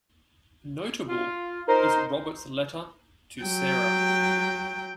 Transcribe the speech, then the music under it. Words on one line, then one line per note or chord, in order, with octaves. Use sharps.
Notable is Robert's letter to Sarah.
F4
D#4 A#4 C5
F#3 G5